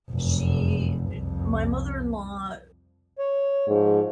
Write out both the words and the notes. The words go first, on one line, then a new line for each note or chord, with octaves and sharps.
she eh, my mother-in-law
F1 F#2
C2 F2
C#5
G#2 F3